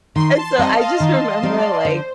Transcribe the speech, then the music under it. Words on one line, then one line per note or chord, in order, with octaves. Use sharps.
and so I just remember, like,
D#3 C6
A5
G3 C4 D#4 D#5
F5
D#3 F5
D#5
G3 C4 D#4
D5
D3 C5